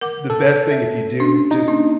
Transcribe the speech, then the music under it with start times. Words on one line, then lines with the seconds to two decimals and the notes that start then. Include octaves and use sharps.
the best thing if you do just
0.01 A#4 F#5 D6
0.30 A4
0.71 E5
1.20 C#4 D4
1.51 D#4
1.68 A#3 C#4 D4